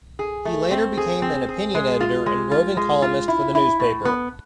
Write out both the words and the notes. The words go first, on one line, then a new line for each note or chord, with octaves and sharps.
Later he became an opinion editor and roving columnist for the newspaper.
G#4
A3
C4
G#4
C4
G#4
G#3
F4
G#3
F4
G#3
F4
E4
E4
A2
B3